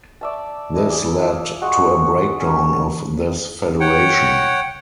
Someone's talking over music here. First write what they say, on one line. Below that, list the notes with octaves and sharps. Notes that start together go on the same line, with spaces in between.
This led to a breakdown of this federation.
D5 E5 A5
D4 E4 D#5 E5
G#4 D5
F4 E5
G#3 F#4 F#5 C#6
C#4
C#5 F#5 G5